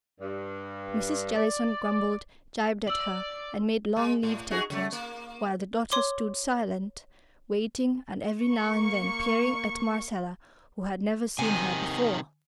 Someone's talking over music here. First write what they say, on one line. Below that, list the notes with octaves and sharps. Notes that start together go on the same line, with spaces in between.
Mrs. Jellison grumbled, gibed at her, and made long leave-takings, while the daughter stood silent, waiting, and every now and then peering at Marcella, who had never seen her before.
G2
D5
D5 E6 F#7
G#3
A2
D#4 F#4 G#4
C#3 F#3 A3
A#3
C#5 C6 D6 G7
A#3 C#6
C3 D#3 G#5